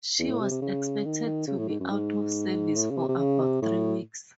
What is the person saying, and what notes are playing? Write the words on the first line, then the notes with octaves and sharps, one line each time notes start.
She was expected to be out of service for about three weeks.
E2
A2
C3
C3
C#3
D#3
D#3
C#3
A2
G#2
F#2
G#2
A2
C#3
C3
C3
C#3
C3
A2